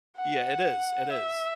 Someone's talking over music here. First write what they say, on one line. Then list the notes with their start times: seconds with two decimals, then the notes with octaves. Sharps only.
Yeah, it is, it is,
0.17 F#5
1.10 E5